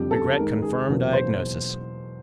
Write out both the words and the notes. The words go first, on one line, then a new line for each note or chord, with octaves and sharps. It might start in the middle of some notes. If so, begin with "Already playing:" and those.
Regret confirm diagnosis.
Already playing: F#1 F2 D3 G3 G4
A4
D#2 D#3 G#3 A#4
G#4
E2 B2 F#3 A#3
C5